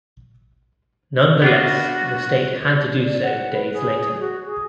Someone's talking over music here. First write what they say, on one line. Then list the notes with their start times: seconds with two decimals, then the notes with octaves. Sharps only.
Nonetheless the state had to do so days later.
1.42 B3 D4 F4 F#4
3.04 D5
3.23 F#5
3.53 B4
3.73 G#4
4.21 F#4
4.46 G#4